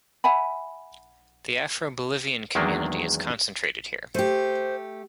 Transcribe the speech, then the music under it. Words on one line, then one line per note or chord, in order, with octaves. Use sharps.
The Afro Bolivian community is concentrated here.
E5 F#5 G#5 B5
E2 D#3 F#3 G#3 A#3 D4
A3 G4 C5